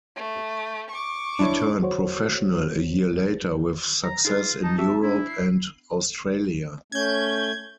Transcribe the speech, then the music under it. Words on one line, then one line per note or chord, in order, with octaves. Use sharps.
He turned professional a year later with success in Europe and Australia.
A3
C#6 D6
D4 E4 C#5
F#4 C5 C#5
A#5
D#4 F4 G#4 B4
D#4 A5
C4 F#4 G4 E5
D4 E4
C7
A3 C#4 G6 G#6